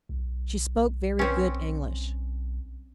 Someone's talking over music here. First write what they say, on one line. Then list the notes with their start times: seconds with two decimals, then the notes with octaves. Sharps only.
She spoke very good English.
0.09 B1
1.19 C4 C#4